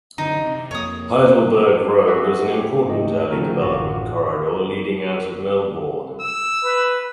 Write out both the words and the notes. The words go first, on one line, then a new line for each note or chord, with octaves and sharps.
Heidelberg Road was an important early development corridor leading out of Melbourne.
F#2 D3 E3 D#4
C3
F2 A#3 C#5 D#6
F#4 G#4 B4 E5
G4
G#2 A3 G4 D#5
C#3 F3 A3 C4 F#4 A#4
A1 F#2 F4 F#4
E6
B4